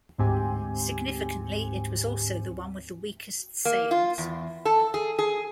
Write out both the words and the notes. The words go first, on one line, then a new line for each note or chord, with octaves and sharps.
Significantly, it was also the one with the weakest sales.
D2 G#2 C4 G4 G#5
A#3
F4
E2
A4
G#4
G#4